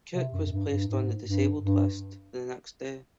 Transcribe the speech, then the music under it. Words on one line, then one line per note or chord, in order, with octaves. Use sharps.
Cook was placed on the disabled list the next day.
C3
F#2
F#2
G2
G2
G#2
G2
G2